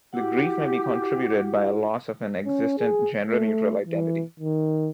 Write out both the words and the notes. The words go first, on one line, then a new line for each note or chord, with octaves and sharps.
The grief may be contributed by a loss of an existent gender-neutral identity.
E4 F#4 G4 F#5
C#4
G#4
A3
E3
D#3